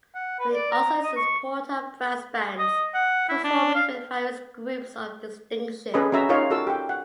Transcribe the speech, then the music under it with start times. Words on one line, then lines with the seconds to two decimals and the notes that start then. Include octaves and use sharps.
He also is a supporter of brass bands, performing with various groups of distinction.
0.15 F#5
0.39 B4
0.53 D5
0.72 A#5
1.03 D#5
1.16 C#6
2.59 D#5
2.94 F#5
3.29 E4
3.44 D4
3.75 F5
5.94 C#4 G#4 A4 B4 D#5 B5
6.12 C#4 F#4 E5 A#5 E6
6.29 D#4 F4 A#4 C#5 F5
6.50 F4 F#4 A4 A#4 A5 E6
6.67 G4 G5
6.89 F#5